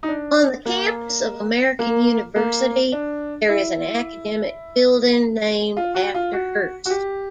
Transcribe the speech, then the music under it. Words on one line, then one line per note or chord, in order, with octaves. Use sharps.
On the campus of American University, there is an academic building named after Hurst.
D#4
D4
A#3
A#3
A#3
D4
E4
F4
F#4
F4
F#4
F#4
G4